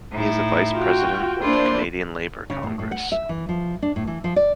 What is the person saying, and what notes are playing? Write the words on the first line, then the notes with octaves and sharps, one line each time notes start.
He is a vice-president of the Canadian Labour Congress.
A2 D#4 E4
F4 F#4 G5
A#3 D4 E4 F4 C5 D5
C#3
A2
A2
F#5
E5
E3
F3
D4
A2
E3
F3
D5